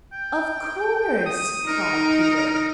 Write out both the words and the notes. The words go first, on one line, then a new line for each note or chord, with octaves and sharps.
"Of course," cried Peter.
G5
D#6
D#4 A#4